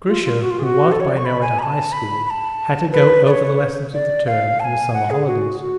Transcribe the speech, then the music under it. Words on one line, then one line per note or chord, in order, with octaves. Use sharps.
Grisha, who was by now at a high school, had to go over the lessons of the term in the summer holidays.
F4
F4
F#4
F4
G#4
F#4
A4
C#5
D5
C#6
B5
G#5
B5
A5
B5
B5
A5
B4
D5
C#5
D5
F5
A5
G#5
F#5
G#4
F#4
F#4